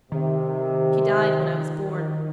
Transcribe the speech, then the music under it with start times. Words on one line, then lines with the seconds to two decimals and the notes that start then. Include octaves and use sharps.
She died when I was born.
0.12 C3 D#3